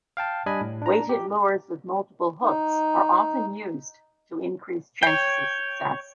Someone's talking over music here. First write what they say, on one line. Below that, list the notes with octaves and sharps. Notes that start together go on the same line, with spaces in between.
Weighted lures with multiple hooks are often used to increase chances of success.
F5 G5 A5
G3 D4 D#5 G#5 B5
A2
D4 A#5
G4
D#4
C#5 G5